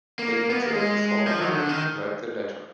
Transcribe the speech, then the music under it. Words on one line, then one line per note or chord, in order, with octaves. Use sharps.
They injure the former and invite the latter.
A#3
B3
A#3
G#3
F3
F#3
D#3
D3
D#3